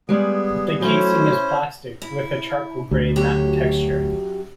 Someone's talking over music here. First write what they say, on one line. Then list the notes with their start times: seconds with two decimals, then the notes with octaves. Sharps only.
The casing is plastic, with a charcoal-gray matte texture.
0.09 G3 G#3 B3 G#4
0.81 F#3 A3 C#4 E4 C5
2.02 E4
2.91 D2
3.16 F#2 F#3 G4